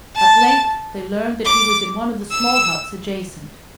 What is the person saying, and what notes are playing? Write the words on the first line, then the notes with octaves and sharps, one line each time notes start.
At length they learned that he was in one of the small huts adjacent.
A5
D6
E6